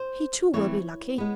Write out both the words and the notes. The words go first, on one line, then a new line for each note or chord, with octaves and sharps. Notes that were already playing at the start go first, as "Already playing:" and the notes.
He, too, will be lucky.
Already playing: C5
E3 A3 C4 C#5
G#3 B3